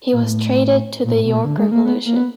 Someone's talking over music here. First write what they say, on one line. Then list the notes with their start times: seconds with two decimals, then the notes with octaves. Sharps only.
He was traded to the York Revolution.
0.12 A#2
0.23 A2
1.04 A#2
1.14 A2
1.25 B2
1.34 A#2
1.45 D3
1.58 G#3
1.71 A#3
1.85 B3
2.06 A#3
2.16 B3